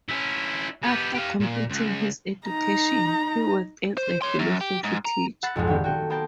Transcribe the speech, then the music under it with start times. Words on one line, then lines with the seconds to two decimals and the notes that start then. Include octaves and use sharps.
After completing his education, he worked as a philosophy teacher.
0.09 C#4 E4
0.83 B3 G4
1.15 G4 F5
1.40 A#2
1.70 C#2
2.47 D#4 A#5
3.97 C5
4.22 C#5 C6
4.39 F#2
4.61 G4
4.84 G#2
5.05 A#5
5.43 F#5 B5 E6 A6
5.56 B1 F2 G#2 G#3
5.67 A#1 D#3 G4
5.84 F#4 A4 G5
6.10 B3 A#4 C5 G5 A5